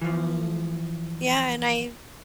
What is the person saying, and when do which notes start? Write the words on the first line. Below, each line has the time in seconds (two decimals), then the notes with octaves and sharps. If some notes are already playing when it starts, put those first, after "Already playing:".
Mm. Yeah, and I
0.01 E3 F3